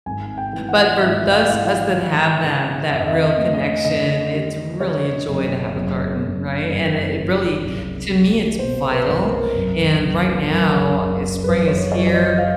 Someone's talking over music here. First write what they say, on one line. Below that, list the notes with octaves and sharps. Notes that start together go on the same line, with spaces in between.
but for those us that have that that real connection, it's really a joy to have a garden, right? And it really to me, it's vital, and right now, spring is here,
G#1 G#5
G5
E3
F#5
G#2 E5
F5
E3
F5
F3
C#3
F2 E5
D#5
E5
D#5
A3
D#5
D3 D#5
G3
G3 C#5
F#1
F#1
F#1
F#2
F#1
C2
G3
B2 C5
B4
C2
A#4
F#2
F#1
F#2 A#4
F#1
F#2 B4
C#5
F#3 D5
C#5
D5
D#5
F5